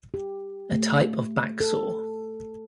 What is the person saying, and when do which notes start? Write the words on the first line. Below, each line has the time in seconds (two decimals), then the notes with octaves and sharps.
A type of backsaw.
0.14 G4
0.72 A3
1.60 A4